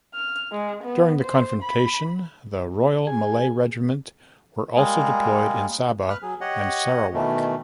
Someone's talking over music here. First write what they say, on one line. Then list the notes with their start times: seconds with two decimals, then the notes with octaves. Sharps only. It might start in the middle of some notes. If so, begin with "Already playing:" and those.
During the confrontation, the Royal Malay Regiment were also deployed in Sabah and Sarawak.
0.14 F6
0.52 G#3
0.83 B3
1.22 C5
1.62 B5
3.07 G#4 G#5
4.76 G3 G#3 A#3 G#4
6.09 B4 F6 F#6
6.22 F#3 G#4
6.41 G4 C#5 D#5 F#5
7.14 B2 D#3 E3 A3